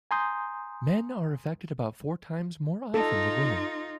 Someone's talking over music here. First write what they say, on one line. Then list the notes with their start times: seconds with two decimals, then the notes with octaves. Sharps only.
Men are affected about four times more often than women.
0.11 G#5 A#5 C6 D#6 G6
2.94 D#4 F4 A4